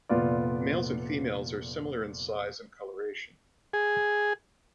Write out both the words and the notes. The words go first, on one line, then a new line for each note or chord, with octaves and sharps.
Males and females are similar in size and colouration.
F1 A#2 B3 F4 D5
G#4